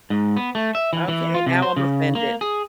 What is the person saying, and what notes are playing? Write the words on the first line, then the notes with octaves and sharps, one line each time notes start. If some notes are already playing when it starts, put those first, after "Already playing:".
Okay, now I'm offended.
G#2
B3
A3
E5
E3
E3
F4
C3
C5
C#3
A#3
G#4